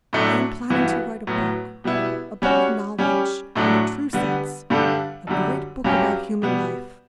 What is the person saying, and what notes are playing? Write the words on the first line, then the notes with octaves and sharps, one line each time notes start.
I am planning to write a book--a book of knowledge, in the true sense--a great book about human life.
A2 F#3 A3 D4
G2 E3 B3 F#4
A2 F#3 B3
B2 G3 B3 E4
G3 C#4 F#4 C#5
G3 C#4 G4
A2 F#3 A3 D4
D3 G3 B3
G2 D3 G3 D4 A4
F#2 D3 G3
G2 F#3 C#4 G4
B2 G3 B3